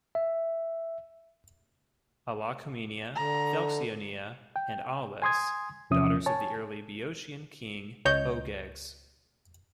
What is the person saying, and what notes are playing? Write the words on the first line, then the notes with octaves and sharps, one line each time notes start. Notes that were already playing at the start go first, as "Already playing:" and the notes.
Alalcomenia, Thelxionoea and Aulis, daughters of the early Boeotian king Ogyges.
E5
D3 A#5
G5
G#5 C6 D#6 G#6
E2 C3 F3 C#4 E5 D#6
C#5 G#5 A5
C#2 C#5 D#5 G6